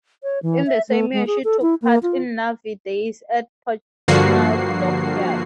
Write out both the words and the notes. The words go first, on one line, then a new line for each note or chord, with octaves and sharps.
In the same year she took part in Navy Days at Portsmouth Dockyard.
C#5
E3
E5
A3
G#3
G#4
A4
E4
A#3
F4
G2 D3 F3 A#3 F#4 C7